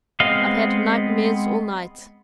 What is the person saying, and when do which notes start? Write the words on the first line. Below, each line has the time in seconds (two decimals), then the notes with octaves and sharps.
"I've had nightmare all night!"
0.20 G#3 B3 C4 D#5 F5